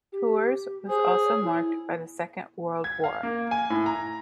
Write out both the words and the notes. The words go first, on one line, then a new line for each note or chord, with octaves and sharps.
Tours was also marked by the Second World War.
G4
G#4 C5
C#5
E4
G#6
F5
A#3
G#5
A2
A#5